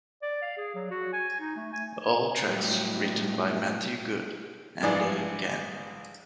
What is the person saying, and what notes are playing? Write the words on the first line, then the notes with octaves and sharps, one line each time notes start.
All tracks written by Matthew Good and Dave Genn.
D5
F5
G#4
F#3
F#4
G#5
D#4
A3
G#5
A2 F#3 G3 G4
A#1 G#2 E3 D4 G#4 D5